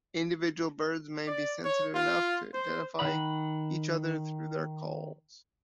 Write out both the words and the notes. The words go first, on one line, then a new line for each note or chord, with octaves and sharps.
Individual birds may be sensitive enough to identify each other through their calls.
D5
C#5
F4
C5
D#3 F#5 B5